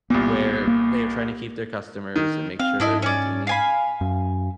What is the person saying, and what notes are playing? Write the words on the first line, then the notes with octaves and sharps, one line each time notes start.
where they're trying to keep their customers, and make sure they're maintaining
C2 A#2 B3
A#3
D#3
C4 F5
G#2 D4 E4 D#5
C#4 D5
F5 G#5 B5
F#2